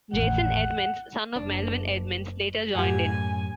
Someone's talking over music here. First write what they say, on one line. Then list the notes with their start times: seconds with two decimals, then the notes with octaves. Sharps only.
Jason Edmonds, son of Melvin Edmonds, later joined in.
0.13 G#1 E2 A2 F#5
1.36 F#1 D4
2.75 F#2 A2 G4 F#5 G#5